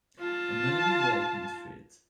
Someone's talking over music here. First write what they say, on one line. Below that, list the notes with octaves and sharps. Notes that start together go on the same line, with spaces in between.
A man walks on the street.
F4 A5